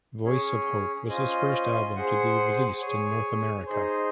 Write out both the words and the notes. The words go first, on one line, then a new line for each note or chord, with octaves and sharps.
"Voice Of Hope" was his first album to be released in North America.
C#4 G#4 C#5
C#4 F4 C5 D#5 G#5
G#4 C5 F#5
G#4 C#5 G#5
D#4 G#4 C5